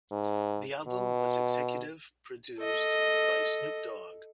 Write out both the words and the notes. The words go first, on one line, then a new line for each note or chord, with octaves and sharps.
The album was executive produced by Snoop Dogg.
G#2
B2
A4 D#5